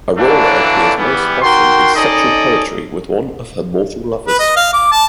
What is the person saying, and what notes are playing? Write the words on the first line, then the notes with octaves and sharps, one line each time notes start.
Aurora appears most often in sexual poetry with one of her mortal lovers.
D3 E3 F#3 A3 A#3 D4
E3 G3 B3
D#3 F#4 G5 C6
C#4 D#4 A4 D5 D#5
B4
D#5
F5
D6
A5